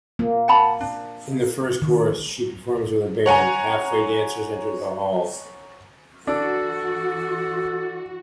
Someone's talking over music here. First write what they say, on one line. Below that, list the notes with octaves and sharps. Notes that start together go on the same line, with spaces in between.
In the first chorus, she performs with a band; halfway dancers enter the hall.
A#3
F#5 A5 B5
D4
D#3
C#5 F#5 G#5 A#5
E3 D4 F#4 A4